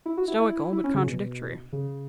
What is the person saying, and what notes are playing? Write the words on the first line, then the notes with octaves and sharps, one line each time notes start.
Stoical, but contradictory.
E4
F#4
E4
E4
E4
C#4
C#3
B2
C#3